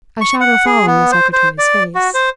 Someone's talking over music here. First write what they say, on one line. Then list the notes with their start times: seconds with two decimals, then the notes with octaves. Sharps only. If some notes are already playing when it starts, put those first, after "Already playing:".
A shadow fell on the secretary's face.
0.21 C#6
0.41 F#5
0.66 G#4
0.87 B3
1.12 C5
1.33 C5
1.58 D5
1.95 F#4
2.14 C5